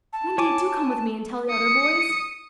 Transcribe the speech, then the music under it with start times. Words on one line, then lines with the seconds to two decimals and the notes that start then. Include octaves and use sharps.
"Wendy, do come with me and tell the other boys."
0.13 A5
0.38 C#5 G#5 D6
1.50 D#6 C#7